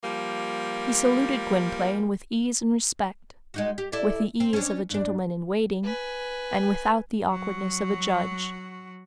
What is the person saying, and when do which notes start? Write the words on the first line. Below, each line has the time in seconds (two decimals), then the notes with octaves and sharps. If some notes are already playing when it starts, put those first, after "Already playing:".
He saluted Gwynplaine with ease and respect--with the ease of a gentleman-in-waiting, and without the awkwardness of a judge.
0.02 F3 G3 A#3
3.54 G#3 D#4 F#4
3.78 G4
3.92 E4 A4 D5
4.40 C4
4.53 C#4 D4
4.90 G2 D4
5.84 B4 G#5
7.30 F#3 F#4